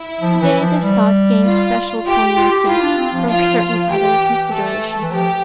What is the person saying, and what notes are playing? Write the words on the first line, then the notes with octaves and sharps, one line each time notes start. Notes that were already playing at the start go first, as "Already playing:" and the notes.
Today this thought gained special poignancy from certain other considerations.
Already playing: E4
F3
E3
F3
G3
F4
F4 G4
F4
G4
E4 F4
D4
C4
F3
F3 F4
F3
F3
E3 G4
A3 A4
E3
F3 G4